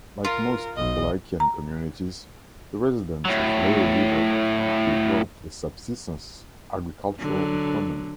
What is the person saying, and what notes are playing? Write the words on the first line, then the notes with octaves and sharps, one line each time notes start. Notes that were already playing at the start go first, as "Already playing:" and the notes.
Like most Appalachian communities, the residents of Little River developed a subsistence agricultural economy.
F4 A#4
B1 D#5
A#5
A2 F#3
D3 F#3